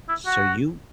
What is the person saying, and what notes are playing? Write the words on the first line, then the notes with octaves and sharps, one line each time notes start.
So you
E4
F#4